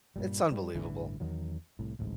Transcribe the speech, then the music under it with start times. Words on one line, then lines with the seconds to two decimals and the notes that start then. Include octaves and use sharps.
It's unbelievable.
0.16 G2 A#2 G3
0.51 G3
0.74 A1 G2 D3 E3
1.20 E2 D#3 F#3
1.79 C2 A2
1.99 D1 A1 G#2